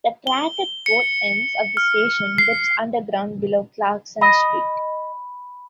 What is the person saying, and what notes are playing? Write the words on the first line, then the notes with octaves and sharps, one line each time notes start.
The track at both ends of the station dips underground below Clarkson Street.
G7
C#7
F6
C7
D#5 B5